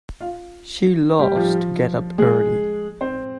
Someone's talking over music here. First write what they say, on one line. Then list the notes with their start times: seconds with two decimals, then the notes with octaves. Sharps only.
She loves to get up early.
0.20 F4 F5
1.19 G3 G4
1.36 F3 F4
2.18 G#3 G#4
3.01 C4 C5